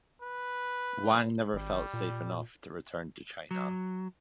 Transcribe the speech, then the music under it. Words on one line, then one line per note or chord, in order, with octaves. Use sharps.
Wang never felt safe enough to return to China.
B4
G#1 G3
A#2
F#3